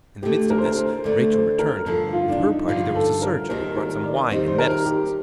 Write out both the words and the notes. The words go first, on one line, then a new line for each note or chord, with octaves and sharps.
In the midst of this, Rachael returned; and with her party there was a surgeon, who brought some wine and medicines.
D2 D3 A3 G4
A#4
C5
A#4
C5
D2 D3 A3 D5
C5
A#4
G2 D3 F3 A4
F4
D4
D#4
G2 D3 F3 F4
A4
A#4
D#2 D#3 G3 C4 D#4 A#4
A#4
D5
D#2 D#3 G3 C4 D#4 C5
C5
A#4
G4